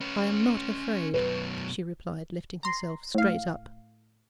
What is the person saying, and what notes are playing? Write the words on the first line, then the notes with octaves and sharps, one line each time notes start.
'I am not afraid,' she replied, lifting herself straight up.
C#4 B4
F#2 B2 B4
A#5 C6
A2 F5